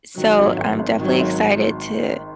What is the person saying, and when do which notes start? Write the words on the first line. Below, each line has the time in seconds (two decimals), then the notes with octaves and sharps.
So I'm definitely excited to
0.17 D#3 F#3
0.39 G#1
0.58 G#1
0.79 G#1
0.99 D#3 F#3
1.20 G#1